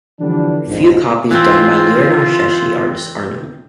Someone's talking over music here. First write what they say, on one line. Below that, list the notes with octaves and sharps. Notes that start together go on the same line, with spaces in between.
Few copies done by Leonardeschi artists are known.
D3 E3 F3 G3 B3 D4
A#1 F2 G#2
E3 C4 F4